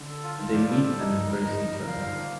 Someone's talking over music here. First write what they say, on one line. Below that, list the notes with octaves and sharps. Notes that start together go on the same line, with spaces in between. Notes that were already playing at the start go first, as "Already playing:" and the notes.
They meet and embrace each other.
Already playing: D3
A4
F4
D#3 F4
F3 D5
G3 A4
G3 A4
G3 D#4
G3 A#4
G3 A#4
F3 D#4
F3 A#4
G3 A#4
F3 F5
D3
D#3 F5
F3 A#3